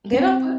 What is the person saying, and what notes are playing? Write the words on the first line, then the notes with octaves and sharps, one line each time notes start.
They don't put
C4